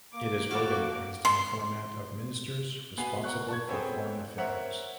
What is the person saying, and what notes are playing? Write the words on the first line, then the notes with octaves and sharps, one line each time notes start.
It is organised in the format of ministers responsible for foreign affairs.
A#3 D6
F#4 A4 F5
C6
B2 B3 G#5 C7
A#4 F#5 C#6 F#6
A5 C#6 G#6
B3 C4 G#4 A4 C#5 G5
A#4 C5 C#5 E5 F#5